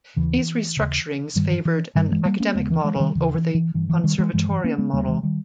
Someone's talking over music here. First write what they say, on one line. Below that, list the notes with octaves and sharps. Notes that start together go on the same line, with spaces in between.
These restructurings favoured an 'Academic Model' over the 'Conservatorium Model'.
D#2 C#3 E3
D#2 C#3
G2 D#3 G3
E3
E3
G2 D#3 G3
E3 G#3
G3 A#3
A#3 C#4
D#2 C#3 G#3 B3
E3
E3 G#3
E3
D#3 G3
D#2 C#3 E3
E3
E3
G2 E3
E3
D#3 G3
E3 G#3
G2 E3 G#3
E3
A#3 C#4
G#3 B3
D#2 C#3 G3 A#3
E3 G#3
D#3 G3